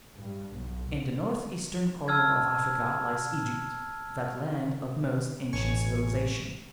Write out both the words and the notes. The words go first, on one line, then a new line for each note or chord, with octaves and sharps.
In the northeastern corner of Africa lies Egypt, that land of most ancient civilization.
G2
B1
A5 E6 F6 G#6
A1 G#5 C#6